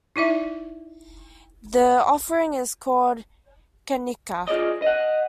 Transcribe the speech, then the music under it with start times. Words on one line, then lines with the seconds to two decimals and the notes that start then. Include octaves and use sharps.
The offering is called 'Kanikka'.
0.16 D#4 E4 D5 E5
4.48 F4 G#4 D5 D#5
4.82 D#5 F#5